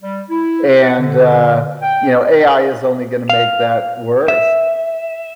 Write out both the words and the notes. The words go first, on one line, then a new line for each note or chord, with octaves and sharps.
and, uh, you know, AI is only gonna make that worse.
G3
E4
F#5
D3
G5
F5
E5